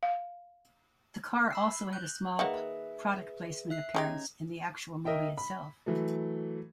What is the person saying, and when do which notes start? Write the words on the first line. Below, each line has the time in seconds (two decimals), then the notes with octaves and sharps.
The car also had a small product placement appearance in the actual movie itself.
0.03 F5
1.51 B5 E6 C7
1.93 F#6 G6
2.39 D#3 A#3 G#4 B4 E5 F#5
3.70 E5 F#6 C7
3.95 D#3 G#3 C#4 G4 A#5 G#6
5.05 A#4 D#5 E5 G5
5.37 B5
5.86 E3 F#3 A3